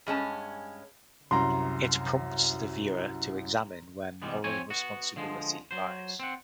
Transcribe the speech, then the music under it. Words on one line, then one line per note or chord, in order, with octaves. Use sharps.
It prompts the viewer to examine where moral responsibility lies.
G2 G#3 C#4 A5
C2 F#2 A#5 C6
C2 E3 G3 G#3 B3
F2 C4 C5 C#5 G#5
B3 F#4
D3 F3 G#3
F#3 C5
C4 F#5